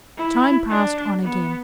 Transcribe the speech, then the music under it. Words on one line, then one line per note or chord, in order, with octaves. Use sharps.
Time passed on again.
E4
D4
B3